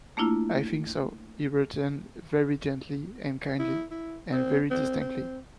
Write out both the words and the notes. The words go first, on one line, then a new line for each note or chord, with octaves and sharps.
"I think so," he returned very gently, and kindly, and very distinctly.
A3 A#3 D4 E4 F4
E4
E4
C4
C4
C4